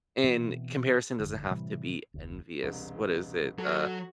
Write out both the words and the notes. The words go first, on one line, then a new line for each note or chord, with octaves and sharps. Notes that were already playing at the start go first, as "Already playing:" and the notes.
And comparison doesn't have to be envious. What is it? Uh,
B2 E3 C4
F#1 F2 D3
A2 C3 E3 G3
F1 D2
E1 C2
F#3 F#4 A4